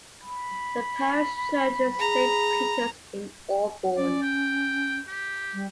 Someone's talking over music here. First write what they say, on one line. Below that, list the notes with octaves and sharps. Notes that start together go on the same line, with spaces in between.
The parish church is Saint Peter's in Aubourn.
B5
G#4 A#5
C#4 D5
G5
G4
G3